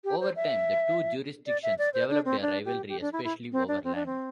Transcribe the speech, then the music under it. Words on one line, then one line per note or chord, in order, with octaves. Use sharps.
Over time, the two jurisdictions developed a rivalry, especially over land.
G4
C5
E5
D5
E5
D5
C5
D4
C4
D4
G4
G4
D4
E4
E4
C4
D4
C4
D4
C4